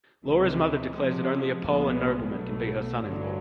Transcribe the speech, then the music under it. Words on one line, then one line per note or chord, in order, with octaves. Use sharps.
Laura's mother declares that only a Pole and nobleman can be her son-in-law.
C#2 C3 E3 G#3
C3 F3 G#3
C2 A#2 F3 G#3 B3
B1 B2 F#3 A3
A1 G2 D3 F#3